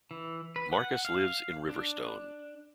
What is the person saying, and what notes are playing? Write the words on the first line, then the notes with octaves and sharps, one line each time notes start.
Markus lives in Riverstone.
E3
B4
F#5
F5
D4